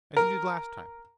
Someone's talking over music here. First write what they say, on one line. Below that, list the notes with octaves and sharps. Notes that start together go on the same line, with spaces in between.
As you did last time!
A#4